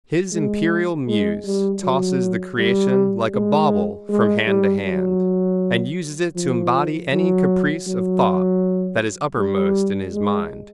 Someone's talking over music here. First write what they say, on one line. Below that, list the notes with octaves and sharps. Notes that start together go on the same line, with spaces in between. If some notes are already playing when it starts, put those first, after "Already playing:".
His imperial muse tosses the creation like a bauble from hand to hand, and uses it to embody any caprice of thought that is upper-most in his mind.
G#3
G#3
G3
F#3
G3
G#3
G#3
G3
F#3
F3
F#3
F#3
G3
G#3